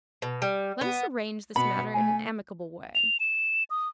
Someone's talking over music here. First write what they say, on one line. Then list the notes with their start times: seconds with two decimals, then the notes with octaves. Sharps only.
Let us arrange this matter in an amicable way.
0.22 B2
0.42 G3
0.81 B3
1.56 B2 B3 B5
1.94 A3 G#5
2.95 F7
3.20 E7
3.70 D#6